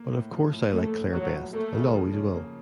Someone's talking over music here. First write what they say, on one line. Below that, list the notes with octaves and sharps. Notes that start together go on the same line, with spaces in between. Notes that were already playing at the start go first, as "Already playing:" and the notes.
But of course I like Claire best and always will.
Already playing: A#3
A2
F3
A2
A3 A#3
A2
F3 F#3
A2
A3 A#3
C#3
F3
C#4
A#3